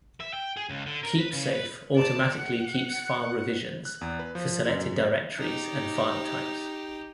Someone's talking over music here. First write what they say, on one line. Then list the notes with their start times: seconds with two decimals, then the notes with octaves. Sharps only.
KeepSafe automatically keeps file revisions for selected directories and file types.
0.20 E5
0.34 G5
0.57 G#4
0.70 C#2
0.86 D3
1.03 A#4
1.19 B4
1.33 C#3
1.53 B4
1.95 D5 A5
2.32 F#5
3.85 F#6
4.01 E2
4.19 B4
4.35 F3
4.68 F#2
5.38 D#4 G4